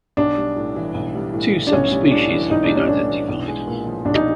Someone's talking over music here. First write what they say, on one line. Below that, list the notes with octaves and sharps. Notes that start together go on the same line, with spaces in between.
Two subspecies have been identified.
B1 D4
G3
A2
E3
B1
G3
A2
E3
D4
B1 C#4
G3
A2 D4
E3
B1 D#4
D4
G3
C#4
A2 D4
E3
B1
G#3
A#2
F3
B1 D4
D#4